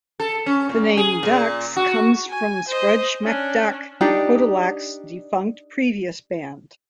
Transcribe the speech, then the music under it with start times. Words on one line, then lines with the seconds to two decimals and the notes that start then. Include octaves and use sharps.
The name "Duhks" comes from Scruj MacDuhk, Podolak's defunct previous band.
0.20 A4
0.46 C#4
0.69 A#2
0.97 G#4
1.23 A#2
1.76 F#4
2.30 G#5
2.68 C5 D#5
3.23 C#4 D4
4.01 D4 D#4 G4 D5